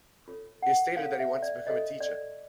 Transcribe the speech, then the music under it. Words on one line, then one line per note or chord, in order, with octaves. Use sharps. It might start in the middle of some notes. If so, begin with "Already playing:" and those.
He has stated that he wants to become a teacher.
F4 A4 C#5
F#5
F4 A4 C#5 F5
E5
D5
F4 A4 C#5 D#5
D5